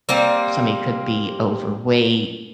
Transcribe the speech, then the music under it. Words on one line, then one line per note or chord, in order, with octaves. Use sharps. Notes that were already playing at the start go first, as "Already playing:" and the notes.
Somebody could be overweight.
G3 A#3 C4